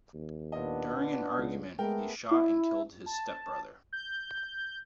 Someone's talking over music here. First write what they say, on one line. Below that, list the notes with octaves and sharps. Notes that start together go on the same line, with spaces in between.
During an argument, he shot and killed his stepbrother.
D#2
A#2 B3 D4 D#5
C#2
G#3 A3 B3 G#4 A#4 G5
E4
A5
G6